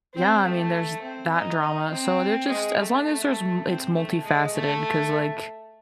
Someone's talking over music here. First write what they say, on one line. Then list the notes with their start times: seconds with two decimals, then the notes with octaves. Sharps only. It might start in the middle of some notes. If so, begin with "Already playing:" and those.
Yeah, I mean, there's that drama. So, they're just as long as there's m it's multifaceted, 'cause, like
0.14 C4
0.44 A3
1.02 C4
1.32 D#4
1.61 D#4
1.90 C4
2.48 G#3
2.77 A3
3.07 A3
3.66 C4
3.95 A3
4.24 G#3
4.53 A3